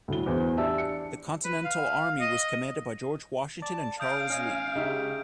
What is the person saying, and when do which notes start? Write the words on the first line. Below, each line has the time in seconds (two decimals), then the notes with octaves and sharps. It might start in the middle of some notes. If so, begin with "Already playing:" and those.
The Continental Army was commanded by George Washington and Charles Lee.
0.08 D2 A2 G7
0.26 E2 C5
0.58 D4 G4 D5 E5 A5 E6
0.78 C#7
1.44 B4
1.65 F5
2.20 D#5
3.62 D5 A5
4.00 F5 D#6 G6 D7
4.30 C#4 D#5 G#5
4.76 C#3 G#3 D#4 G4 E5